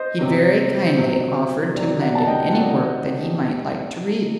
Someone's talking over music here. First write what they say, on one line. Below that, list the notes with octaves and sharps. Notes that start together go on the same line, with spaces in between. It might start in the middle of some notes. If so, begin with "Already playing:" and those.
He very kindly offered to lend him any work that he might like to read.
Already playing: C5 D#5
C3 F#3
C3 F#3
C3 D#3 F#3 D5
D5 F#5
A5
D#5 G5
C3 D#3 F#3 D5 F#5